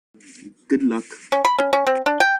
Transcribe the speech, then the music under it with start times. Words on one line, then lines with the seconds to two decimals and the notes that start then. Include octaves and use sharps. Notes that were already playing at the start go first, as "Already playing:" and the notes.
Good luck !
1.32 C#4
1.45 B5
1.58 C#4
1.73 C#4
1.87 C4
2.06 D4
2.20 G5